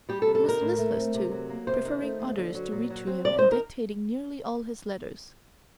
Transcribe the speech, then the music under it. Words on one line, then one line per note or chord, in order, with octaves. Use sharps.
He was listless too, preferring others to read to him and dictating nearly all his letters.
G3 G4
A4
C3
A4
D#3 A#4
A2
A3
C4
C3
F#3
A#3
C3 C5
D#3
A3
D#2
D3
F#3
A#2
F#3
C4
C3 D5
D#3 C5
A#4